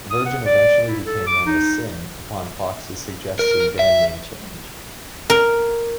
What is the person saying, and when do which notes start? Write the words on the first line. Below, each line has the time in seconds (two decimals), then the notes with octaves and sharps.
Virgin eventually became known as Sin upon Fox's suggested band name change.
0.11 D#6
0.26 F#5
0.46 D5
0.88 E4
1.06 A4
1.27 D6
1.46 D#4
3.39 A#4
3.79 E5
5.30 A#4